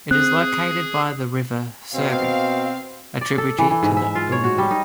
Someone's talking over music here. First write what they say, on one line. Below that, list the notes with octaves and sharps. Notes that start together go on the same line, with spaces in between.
It is located by the river Segre, a tributary to the Ebre.
C4 G#4 F#6
B2 C4 F5
D5
A4
E3
E3
G#2
E5
F4
C#5
F#4
G3
D#4